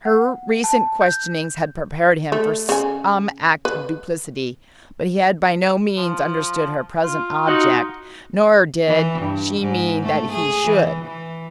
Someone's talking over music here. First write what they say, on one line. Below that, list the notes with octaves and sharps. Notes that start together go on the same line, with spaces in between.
Her recent questionings had prepared him for some act of duplicity, but he had by no means understood her present object, nor did she mean that he should.
F#5
A5
G6
A3
C#3 G#5
B4
F3
F4
D#4 F#4
E3
G2
G#2
A3
G#4
E3
E3